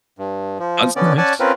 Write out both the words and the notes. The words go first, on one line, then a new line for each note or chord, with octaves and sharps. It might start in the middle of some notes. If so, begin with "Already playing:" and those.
That's nice.
G2
F3
D3 B3 C#4 D5
C#4 D5 F#5 G#5 A5
C4 C#4 F4 A#4 B4